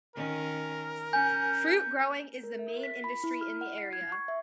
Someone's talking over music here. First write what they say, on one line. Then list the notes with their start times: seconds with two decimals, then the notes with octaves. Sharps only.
Fruit growing is the main industry in the area.
0.16 D#3 C#4 A#4
1.13 C#4 G#5 G6
2.43 A#4
2.59 E5
2.83 B6
3.04 B5
3.24 E4
3.41 F6
3.61 F#5
3.78 C7
3.93 G#6
4.12 C#6
4.28 E5